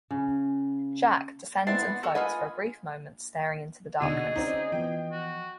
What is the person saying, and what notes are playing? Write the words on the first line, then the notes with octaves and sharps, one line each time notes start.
Jacques descends and floats for a brief moment staring into the darkness.
C#3
B3 C4 E4 D5 F#5 C6
B3
F#4 A4 A#4
F4 B4 D#5 F#5 G#5
B2 D3 D#4 F#4 G#4 D#5 D#7
C4 C#4 D#4 C5 D5 E5
E3 F3 B3 G5
F#4